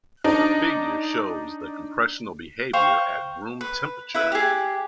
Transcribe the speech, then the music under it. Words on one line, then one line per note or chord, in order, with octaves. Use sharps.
The figure shows the compressional behaviour at room temperature.
D4 D#4
C5 F5 G5 C#6
B4
E4 B4 E5
G4 G#4